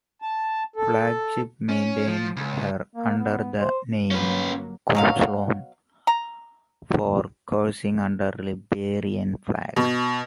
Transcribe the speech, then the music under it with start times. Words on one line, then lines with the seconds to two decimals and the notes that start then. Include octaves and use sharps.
Flagship maintained her under the name "Kungsholm" for cruising under Liberian flag.
0.22 A5
0.76 A4
1.69 C#4
2.08 F3
2.36 C#2
2.95 A#3
3.18 B3
3.60 C5
4.11 G1 F#3 A#3 C#4 B4
4.95 B2 F#3 F5
6.07 A#5
9.76 B2